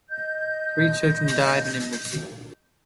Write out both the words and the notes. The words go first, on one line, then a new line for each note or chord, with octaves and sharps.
Three children died in infancy.
D#5 G6